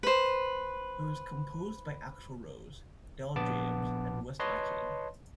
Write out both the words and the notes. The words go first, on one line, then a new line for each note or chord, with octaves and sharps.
It was composed by Axl Rose, Del James and West Arkeen.
B4 C5
A#1 B3 A5 D6
B4 C#5 D#5 A5 C6